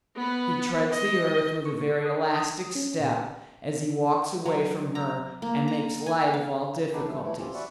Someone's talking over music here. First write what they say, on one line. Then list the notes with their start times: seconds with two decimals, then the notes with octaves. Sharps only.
He treads the earth with a very elastic step as he walks away from her, and makes light of all difficulties.
0.16 B3 B4
0.90 D#5
1.66 C#6
2.06 D#6
2.35 D#6
2.75 C#4
3.00 A#2
4.46 F#3
4.95 A#5
5.42 A#3
5.68 A#5
6.06 G#5
6.34 F5
6.93 B3 D4 D#4 G4 G#4 B4
7.07 F#3 A3
7.22 E3 A3 B3 E4
7.38 C4 C#4 F4 G4
7.54 F#4 B4 D5 E5 F#5